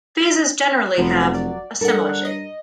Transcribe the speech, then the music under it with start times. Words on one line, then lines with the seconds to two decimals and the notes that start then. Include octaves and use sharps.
Vases generally have a similar shape.
0.98 F1 F3 F#3 B3
1.34 D5
1.81 G2 A4 A#4 D5 F#5
2.25 D#5